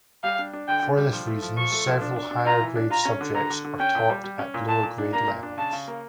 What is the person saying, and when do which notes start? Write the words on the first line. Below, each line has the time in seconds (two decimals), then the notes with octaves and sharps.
For this reason several higher-grade subjects are taught at lower grade levels.
0.24 G3 F5
0.39 D4
0.53 D4
0.68 D3 G5
0.83 D3
0.97 G3
1.13 F3
1.27 A3
1.42 F3
1.57 F3 C#6
1.72 A3
1.87 F3
2.01 D4
2.16 D4
2.31 D4
2.45 F4 A#5
2.61 E3
2.75 D4
2.90 F4 A#5
3.05 C#4
3.21 D3
3.34 D3 A#5
3.50 D3
3.64 D3
3.79 C#4 G5
3.95 A#2
4.10 G3
4.24 G3
4.39 C#4
4.54 A#2
4.68 A#2 A5
4.83 A#2
4.98 D4
5.13 A#3 A#5
5.28 A#2
5.43 D4
5.58 C#3 A5
5.73 C#3
5.88 A#3